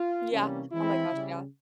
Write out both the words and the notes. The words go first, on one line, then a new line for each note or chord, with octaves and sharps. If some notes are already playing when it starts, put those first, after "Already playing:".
Yeah. Oh my gosh, yeah.
Already playing: F4
C3 E3 G3 A#3 C#4
E3 G#3 C4 E4
C#3 G3 C#4